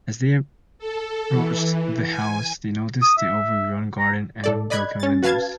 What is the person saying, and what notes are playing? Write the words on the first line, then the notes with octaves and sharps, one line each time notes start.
As they approached the house, they noticed the overgrown garden and broken windows.
A4
E3
G#5
D#6
E5
A#5
A2 A4 D5
D5 D#5 B5 F#6 G#6
C#4 A6
F#4 B4 F5 A5 G#6 A6